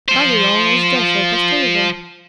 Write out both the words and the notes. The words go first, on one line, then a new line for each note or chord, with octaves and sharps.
Barillon was therefore passed over.
F3 C5